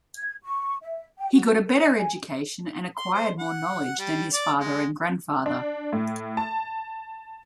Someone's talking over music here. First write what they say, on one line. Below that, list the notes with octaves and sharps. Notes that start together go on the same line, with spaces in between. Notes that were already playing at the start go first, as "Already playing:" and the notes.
He got a better education and acquired more knowledge than his father and grandfather.
G#6
C#6
E5
G5
F#4
A#4
G#5
C6
C5
F#5
G3
D5
G#3
D4
A2
A5